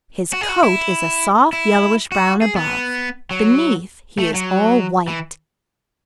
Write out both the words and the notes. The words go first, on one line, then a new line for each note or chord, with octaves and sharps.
His coat is a soft yellowish-brown above; beneath he is all white.
F#4
G#4
F#4
E4
E4
F#4
G#4
B3
F#3
A3
F#3
E3